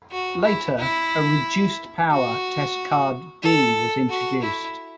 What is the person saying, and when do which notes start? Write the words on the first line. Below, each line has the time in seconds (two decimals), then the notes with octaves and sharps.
Later, a "Reduced Power" Test Card D was introduced.
0.11 F#4
0.44 E4
0.77 E4
2.11 F#4
3.43 A4
4.10 F#4
4.43 E4